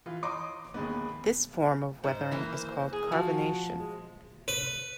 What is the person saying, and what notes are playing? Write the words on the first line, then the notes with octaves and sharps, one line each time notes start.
This form of weathering is called carbonation.
E3 F4
C#5 D#5 A#5 C6 D6 D#6
D#2 G#3 B3
G#2 C5
E3 A#3
G#4
F3 F#4
G#3
B4